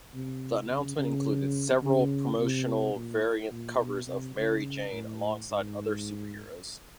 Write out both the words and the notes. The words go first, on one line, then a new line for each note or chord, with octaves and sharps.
The announcement included several promotional variant covers of Mary Jane alongside other superheroes.
C3
C#3
C#3
C#3
C3
A#2
A#2
B2
C3
C#3
A2
G#2